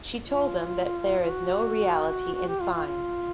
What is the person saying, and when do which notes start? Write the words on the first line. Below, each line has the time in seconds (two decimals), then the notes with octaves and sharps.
She told them that there is no reality in signs.
0.24 F4
1.20 F4
1.29 F#4
2.34 F#4
2.48 G4
2.60 F4
2.74 F4
2.87 F4